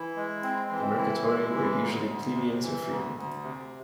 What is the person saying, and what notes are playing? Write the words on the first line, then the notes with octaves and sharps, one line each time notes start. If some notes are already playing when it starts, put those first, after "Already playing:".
The mercatores were usually plebeians or freedmen.
Already playing: E3 E4
G#3
C4
E3
E4
G#3
E3
D2
D2
C3
E3
D2
D2
C3